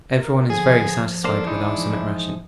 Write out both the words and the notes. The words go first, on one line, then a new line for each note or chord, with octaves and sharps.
Everyone is very satisfied with our summit ration.
A#4
D3 F3 G#4
A#3 D4 A4 C5
E3 G#3 D#4 E4
F3